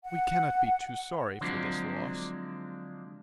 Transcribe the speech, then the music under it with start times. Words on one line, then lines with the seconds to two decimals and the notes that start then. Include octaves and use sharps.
We cannot be too sorry for this loss.
0.05 F#5
1.41 D3 F3 F#3 G#3 C4 D4